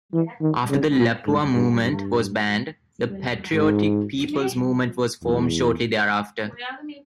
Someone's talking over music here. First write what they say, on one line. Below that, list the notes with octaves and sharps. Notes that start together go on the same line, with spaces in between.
After the Lapua Movement was banned, the Patriotic People's Movement was formed shortly thereafter.
E3
D#3
C#3
A#2
G#2
G2
G2
G#2
E2